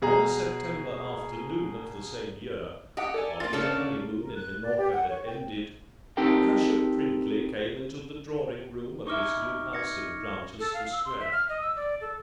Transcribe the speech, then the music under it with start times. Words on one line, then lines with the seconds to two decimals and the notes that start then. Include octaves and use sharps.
On a September afternoon of the same year, after the honeymoon in Minorca had ended, Cushat-Prinkly came into the drawing-room of his new house in Granchester Square.
0.02 B2 G#4 A#5
2.97 G4 D#5 F#5 D#6
3.14 A4 D5 G#5
3.40 A#3 F4 A6
3.53 C#3 A#3 C#4 D4 A4
4.20 A#4
4.35 F#6
4.63 D5
4.77 G4
4.92 F#5
5.09 C#5
5.25 G5
6.17 C4 D#4 G4 A4 A#4 G5
9.07 D#4 E5 C#6 D6 F6
9.73 G#6 A#6 C#7
10.59 A4
10.74 F5
10.92 E6
11.05 C6
11.20 E5
11.32 F6
11.49 D#5
11.62 E6
11.76 D5
12.01 A4